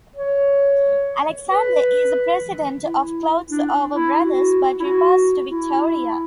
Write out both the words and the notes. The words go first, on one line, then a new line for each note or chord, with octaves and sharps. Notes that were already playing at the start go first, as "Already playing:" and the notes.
Alexander is the president of Clothes Over Brothers but reports to Victoria.
C#5
B4
E4
D4
E4
F#4
E4
F#4
E4